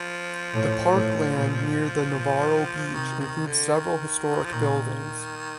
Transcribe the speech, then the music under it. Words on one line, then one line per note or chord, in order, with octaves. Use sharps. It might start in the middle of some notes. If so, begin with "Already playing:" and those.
The park land near the Navarro beach includes several historic buildings.
Already playing: F3
A2
A2
A#2
A#2
C3 D#3
D#3
D3
D#3
F3
A#2 D#3